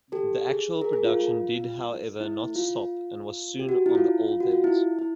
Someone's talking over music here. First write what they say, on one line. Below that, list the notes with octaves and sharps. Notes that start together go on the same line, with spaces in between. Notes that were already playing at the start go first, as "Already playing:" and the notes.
The actual production did however not stop and was soon on the old levels.
G4 A4
G#4
G#4 A#4
G#4 A#4
F4
E4
F4
G4
F#4
E4
F4
F4
F#4
F4
E4
E4